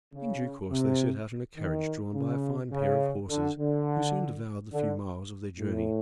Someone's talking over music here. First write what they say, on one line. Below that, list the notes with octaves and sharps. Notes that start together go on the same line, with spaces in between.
In due course, they set out in a carriage drawn by a fine pair of horses, who soon devoured the few miles of their journey.
C#3
C3
D#3
C#3
C#3
D3
D3
D3
A2